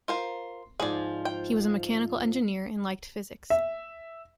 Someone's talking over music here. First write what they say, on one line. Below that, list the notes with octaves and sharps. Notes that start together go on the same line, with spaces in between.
He was a mechanical engineer and liked physics.
F4 A#4 C5
G#2 F3 F4 G#4 D5
G5
E5